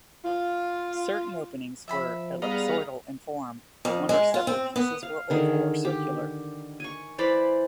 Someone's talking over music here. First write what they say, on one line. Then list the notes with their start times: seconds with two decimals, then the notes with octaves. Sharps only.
Certain openings were ellipsoidal in form, one or several pieces were oval or circular.
0.25 F4
1.88 F3 E5 G#5 B5
2.42 G3 B3 G#4 D#5 F5 A#5
3.85 F2
4.09 G#3
4.34 F4
4.47 C4
4.76 B3
5.03 F5
5.30 D3 D#3 G#4
5.85 G4
6.80 G#5 C#6
7.18 E3 C5 D5 B5